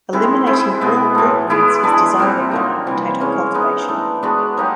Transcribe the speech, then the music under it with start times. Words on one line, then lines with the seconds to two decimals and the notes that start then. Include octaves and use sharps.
Eliminating all root-weeds is desirable in potato cultivation.
0.13 D#3 G#3 C4 E4
0.47 G#3 C4 E4
0.81 B2 G#3 B3
1.15 A2 E3 A3
1.50 G#3 B3 E4 G#4
1.84 G#3 B3 D4
2.18 A#2 G3 C4
2.51 D3 F#3 A#3 D#4
2.87 C3 E3 G3
3.20 E3 G#3 C#4
3.54 G#3 B3 D#4
3.88 E3 A3 D4
4.23 G#3 B3 D4 F#4
4.57 F#3 A#3 D#4 G4